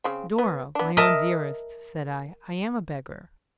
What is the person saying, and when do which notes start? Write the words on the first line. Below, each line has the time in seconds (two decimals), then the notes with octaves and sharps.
'Dora, my own dearest!' said I. 'I am a beggar!'
0.04 C#3 C4
0.38 B3
0.75 B3 D4
0.97 A#4 D#5 E5 A5 A#5